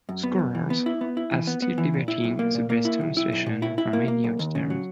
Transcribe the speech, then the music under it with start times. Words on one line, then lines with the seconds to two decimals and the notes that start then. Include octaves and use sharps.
Scholars are still debating the best translation for many of the terms.
0.09 F#2
0.23 B3
0.39 F#2
0.55 E3
0.70 B3
0.86 E4
1.01 B3
1.17 E4
1.31 E3
1.47 B3
1.62 B3
1.78 E3
1.94 A#2
2.08 E4
2.24 B1
2.39 A#3
2.55 A#2
2.70 A#3
2.85 E4
3.01 B1
3.17 E4
3.32 B1
3.46 A#2
3.62 E4
3.78 E4
3.93 A#3
4.08 A#3
4.24 B1
4.39 D#2
4.55 C#3
4.70 F#3